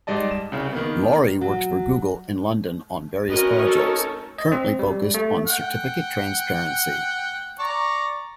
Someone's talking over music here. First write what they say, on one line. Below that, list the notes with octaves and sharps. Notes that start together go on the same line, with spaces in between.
Laurie works for Google in London on various projects, currently focused on Certificate transparency.
G#2 G3 D5 D#5 A5
E7
C2 C#3
D#3 A#3 B3
F#3
C#4 F#4 A#4 B4 D#5
D#4 A4 C#5
D#5
C4
G3
A3
F#5 G5
D5 A#5 C#6